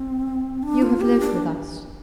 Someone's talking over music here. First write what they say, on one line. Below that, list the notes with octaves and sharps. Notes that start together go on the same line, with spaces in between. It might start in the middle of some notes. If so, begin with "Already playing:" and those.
You have lived with us.
Already playing: C4
D4
F4
G4
D4